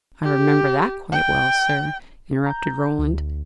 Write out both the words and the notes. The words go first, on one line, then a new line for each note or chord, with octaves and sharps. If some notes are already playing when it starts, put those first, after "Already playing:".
"I remember that quite well, sir," interrupted Roland.
G4
G5
A#5 G6
D2